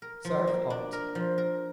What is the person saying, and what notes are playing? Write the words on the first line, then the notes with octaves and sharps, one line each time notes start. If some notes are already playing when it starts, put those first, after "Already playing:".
Serve hot.
A#4
F3
A#3
D4
A#4
F3
A#4